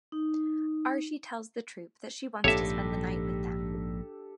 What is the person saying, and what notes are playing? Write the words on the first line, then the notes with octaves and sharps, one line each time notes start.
Arshi tells the troupe that she wants to spend the night with them.
D#4
A#1 G#2 D4 G4 A4 C#5 E5